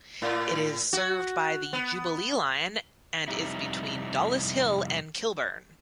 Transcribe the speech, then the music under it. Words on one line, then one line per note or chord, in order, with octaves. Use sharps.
It is served by the Jubilee line and is between Dollis Hill and Kilburn.
A2
F#4
B3
F2 C3 G3 D#4 E4